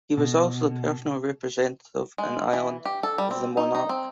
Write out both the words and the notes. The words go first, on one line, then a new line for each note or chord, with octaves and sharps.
He was also the personal representative in Ireland of the monarch.
B2
G#3
E3
G4
A4
G3
C4
D#4
D#4
C4